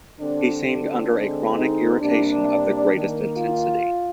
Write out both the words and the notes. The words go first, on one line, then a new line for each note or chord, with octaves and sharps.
He seemed under a chronic irritation of the greatest intensity.
D3 G3 C4 D4
D4
D3 G#3 C4
D#4
C3 G3 A#3 D4
D#3 A#3
F4